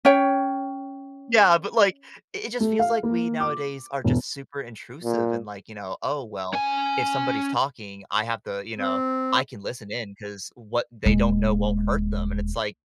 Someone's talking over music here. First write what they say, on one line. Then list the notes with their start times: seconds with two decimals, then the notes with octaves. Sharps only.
Yeah, but like, it it just feels like we nowadays are just super intrusive and like, you know, "Oh well, if somebody's talking, I have the you know, I can listen in 'cause what they don't know won't hurt them" and it's like,
0.05 C#4 C#5 G5
2.60 A3
2.79 F5
3.03 A#3
3.40 D6
4.04 E1
5.04 A#2
6.53 C#4 G#5
8.76 C4
11.05 D#1 G#3